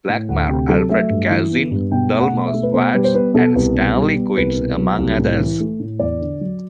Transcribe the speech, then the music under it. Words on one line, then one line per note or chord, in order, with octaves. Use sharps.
Blackmur, Alfred Kazin, Delmore Schwartz, and Stanley Kunitz among others.
A2
D2 F#5
C3 G5
F#3 A4
A3 E5
G2
E3
B3
G2
B2 G5
A3
F#5
B2
E5
A3
B4
B2 C5
G3 B4
C5
B3 B4
B2 A4
C2 B4
B2
G3
B3
C2 B4
B2
F#3
C2
A2
E3
A3
A2
E2 D5
D3
F#3